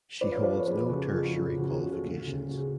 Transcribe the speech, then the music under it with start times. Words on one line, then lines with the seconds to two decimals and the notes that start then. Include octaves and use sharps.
She holds no tertiary qualifications.
0.21 F3 B4 D5
0.32 C#5 F5
0.43 F3 B4 D5
0.55 A4 C#5
0.66 F2 G#4 B4
0.89 C#3 F#4 A4
1.12 F2 F4 G#4
1.23 F#4
1.35 C#3 F4
1.57 C#3 F#4
1.69 F4 G#4
1.81 C#3 F#4
1.92 F#4 A4
2.04 D2
2.27 C#3
2.48 C#3 F#4
2.57 G#4